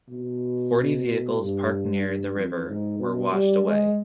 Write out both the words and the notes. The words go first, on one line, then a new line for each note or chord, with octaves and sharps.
Forty vehicles parked near the river were washed away.
B2
G2
G2
F2
G#2
B2
G3
G#3